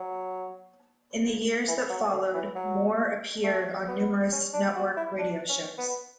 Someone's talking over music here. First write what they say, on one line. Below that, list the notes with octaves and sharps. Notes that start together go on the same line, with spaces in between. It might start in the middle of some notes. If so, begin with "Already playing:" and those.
In the years that followed, Moore appeared on numerous network radio shows.
Already playing: F#3
E3
F#3
D3
E3
F#3
A3
B3
C#4
D4
F#4
E4
D4
C#4
B3